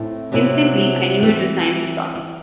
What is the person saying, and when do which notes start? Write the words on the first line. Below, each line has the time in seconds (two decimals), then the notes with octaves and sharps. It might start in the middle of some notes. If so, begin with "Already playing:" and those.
Instantly I knew it was time to stop.
Already playing: A2 C4 E4
0.32 C3 F#3 C#4 E4
1.22 E3 C4 E4